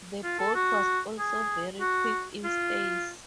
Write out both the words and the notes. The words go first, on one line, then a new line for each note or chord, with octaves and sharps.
The boat was also very quick in stays.
F4
A4
F#4
G#4
F#4
F4